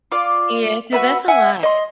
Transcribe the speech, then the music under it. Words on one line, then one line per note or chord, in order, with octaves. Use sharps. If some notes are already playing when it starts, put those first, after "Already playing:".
Yeah, 'cause that's a lot.
F4 D5
F#4 B4 E5
E5 F#5 G#5
D#5 C6